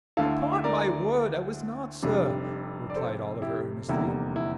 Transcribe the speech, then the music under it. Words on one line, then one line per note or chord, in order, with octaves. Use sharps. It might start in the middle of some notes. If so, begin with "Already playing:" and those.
'Upon my word I was not, sir,' replied Oliver, earnestly.
D2 D3 A3 E4 F5 A5
F5
E5
A#4 D5
F1 F2 C3 G3 D4
D5
A4 C5
E4 G4
F1 E2 D3 G3 A#3 E4 G4
E4